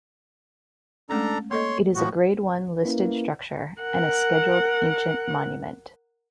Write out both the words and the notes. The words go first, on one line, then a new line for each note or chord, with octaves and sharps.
It is a grade one listed structure and a Scheduled Ancient Monument.
G#3 A3 C#4 D4 A4 A#5
A#3 A4 C#5 D#5 C6
A2 F3 F#4
A#3 C#4 E4 B4
A#4 F#5